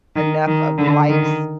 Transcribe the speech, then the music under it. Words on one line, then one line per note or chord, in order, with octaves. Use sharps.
enough of life's
D#3
D#3
D3
D#3